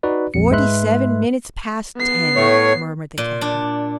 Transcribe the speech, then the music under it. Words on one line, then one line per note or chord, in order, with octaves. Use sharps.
"Forty-seven minutes past ten!" murmured the captain.
D#4 F#4 B4 D5
A#1 F2 C#7
G#2 G#3 B4 E5 C6 F#6
B3 C7
A2 A3 C#5
A#2
D4